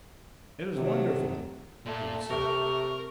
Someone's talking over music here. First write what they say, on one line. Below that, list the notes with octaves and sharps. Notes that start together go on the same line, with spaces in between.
"It is wonderful," Leif said.
C3 D#3 F#3 A3
A#2 A3
C3 A#4 C#6